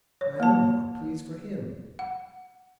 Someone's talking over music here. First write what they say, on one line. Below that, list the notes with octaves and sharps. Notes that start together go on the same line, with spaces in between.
My own heart pleads for him.
C#5
A#3 A5
F#5